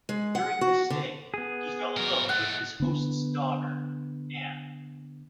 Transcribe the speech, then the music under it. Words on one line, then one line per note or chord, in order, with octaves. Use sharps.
During this stay, he fell in love with his host's daughter Anne.
G#3
F#5
F#4
D3
B3 G#4
B2 A#4
G#3 A3 F#5
D3 B3